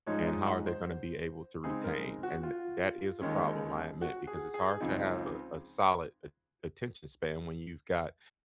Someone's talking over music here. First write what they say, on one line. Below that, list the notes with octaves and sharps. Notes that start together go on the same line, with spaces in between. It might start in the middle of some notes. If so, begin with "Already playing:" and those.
and "how are they gonna be able to retain?" And that is a problem, I admit, because it's hard to have a solid at attention span when you've got
G#2 F3 G#3 D#4 C#5
D#5
F#5
C5
C#3 G#3 C4 D#4 G#4
A#4
F#4
F4
D#2 D#3 G#3 C#4
F#4
G#4
G#4
C#2 C#3 F3 C4 D#4